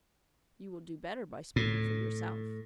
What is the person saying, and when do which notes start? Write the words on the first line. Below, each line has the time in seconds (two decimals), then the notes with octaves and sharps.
"You will do better by speaking for yourself."
1.56 A2